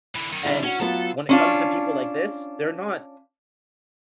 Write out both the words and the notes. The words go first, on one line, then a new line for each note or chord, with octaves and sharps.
and when it comes to people like this, they're not
D3 E3
F#2 D#3
G3 D4 E4
C#4 F#4
F#3 B3 F4 A4 A5
C#4 D4 F4